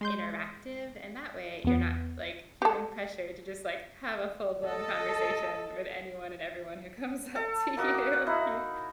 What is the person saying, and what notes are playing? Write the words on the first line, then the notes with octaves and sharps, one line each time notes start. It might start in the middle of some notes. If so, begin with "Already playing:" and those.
interactive, and that way, you're not, like, feeling pressured to just, like, have a full blown conversation with anyone and everyone who comes up to you you.
G#3 C6 G6
E2 B3
G4 A4
A4 D#5
A4
A#3 F#4 D#5
D6
F#5
D#4 E4